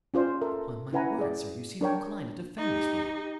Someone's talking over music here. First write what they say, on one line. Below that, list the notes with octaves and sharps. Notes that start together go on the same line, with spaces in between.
"Upon my word, sir, you seem inclined to defend this woman!"
C#4 F4 C5 D5
A4 A#4 E5
C#4 E4 B4 F#5 G#5 A#5
G#4 D5
D4 A#4 C#5 G5
D#4 G4